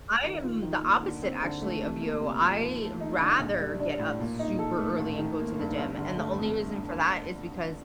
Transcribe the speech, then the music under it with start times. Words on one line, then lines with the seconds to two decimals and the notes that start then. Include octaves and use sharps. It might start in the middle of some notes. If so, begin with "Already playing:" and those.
I am the opposite actually of you, I rather get up super early and go to the gym, and the only reason for that is because,
0.23 D#3
0.43 F4
0.62 D#3
0.82 A#3
1.02 D3
1.22 C4
1.42 D3
1.62 A3
1.82 C3
2.01 A#3
2.21 C3
2.42 F3
2.61 D#2
2.81 A3
3.00 D#4
3.20 D3
3.39 A#1
3.59 G3
3.79 D4
3.99 A2
4.20 A#2
4.39 D#4
4.59 A4
4.79 A3
4.98 A1
5.18 D#3
5.39 A#3
5.58 G2
5.78 G1
5.98 D3
6.17 A3
6.38 F2